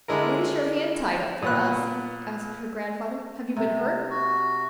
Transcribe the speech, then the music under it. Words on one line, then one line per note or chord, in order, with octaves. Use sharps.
"What is your hand tied up for, Elsie?" asked her grandfather; "have you been hurt?"
D3 G#3 E4 A#4
A#2 B3 F#6
C3
F#4